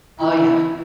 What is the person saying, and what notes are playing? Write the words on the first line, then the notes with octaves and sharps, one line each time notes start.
Oh, yeah.
E4